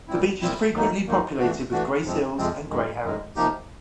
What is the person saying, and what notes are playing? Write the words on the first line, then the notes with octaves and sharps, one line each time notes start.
The beach is frequently populated with grey seals and grey herons.
A#2 G3 C4 E4
A#2 G3 C4 E4
D#2 D#3 F#3 A#3 D#4
D#2 D#3 F#3 A#3 D#4
E3 A3 D4 F#4
E3 A3 D4 F#4
F2 C3 F3 G#3 C4
F2 C3 F3 G#3 C4
F#2 D#3 G#3
F#2 D#3 G#3
C3 F3 A#3 D#4 G4